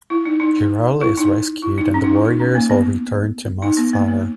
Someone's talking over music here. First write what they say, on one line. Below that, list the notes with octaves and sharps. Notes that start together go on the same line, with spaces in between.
Durral is rescued and the warriors all return to Mossflower.
E4
D#4
D#4
D#4
E4
D#4
E4
D#4
C#4
D#4
E4
D#4
C#4
A#3
B3
D#4
B3
A#3
A#3